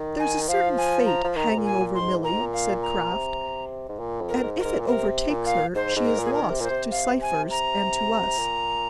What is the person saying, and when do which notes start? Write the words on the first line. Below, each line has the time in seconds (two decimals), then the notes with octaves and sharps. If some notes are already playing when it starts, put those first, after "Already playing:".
"There is a certain fate hanging over Milly," said Kraft, "and if it overtakes her she is lost to Cypher's and to us."
Already playing: D#3
0.19 G#5
0.48 F3 F5
0.78 G#5
1.06 A#5
1.24 F3
1.36 D#3 A#5
1.50 C3
1.58 A#2
1.65 G#5
1.80 A#2
1.94 C6
2.01 G#2
2.23 A#2 A#5
2.32 G#2
2.41 A#2
2.53 F5
2.82 A#5
3.12 C3
3.89 G#2
4.00 A#2
4.21 F2
4.29 A#4
4.43 G#2
4.58 A#4
4.65 G#2
4.80 A#2
4.87 C3 A#4
5.30 A#2
5.46 F5
5.75 G#2 C5
5.97 G#2
6.04 A#4
6.19 A#2
6.25 G#4
6.33 A#4
6.40 D#3
6.50 C3
6.61 A#2 C5
6.70 C3
6.91 F5
7.22 G#5
7.51 A#5
8.27 C3
8.38 A#2